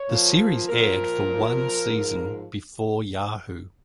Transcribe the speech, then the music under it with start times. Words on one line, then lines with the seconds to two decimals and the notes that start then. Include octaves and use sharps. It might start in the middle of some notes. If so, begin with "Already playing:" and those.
The series aired for one season before Yahoo!
Already playing: C#5
0.10 A#2 F3
0.69 A#2 F3 A#4
1.29 A#2 F3
1.88 G#2 F3